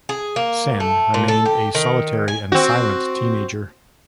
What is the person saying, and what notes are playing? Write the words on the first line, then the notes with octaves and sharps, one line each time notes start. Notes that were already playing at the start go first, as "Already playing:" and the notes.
Sen remained a solitary and silent teenager.
G#4
A#3
A3
A#2
A4
G4
D#3
G#5
C4 F#4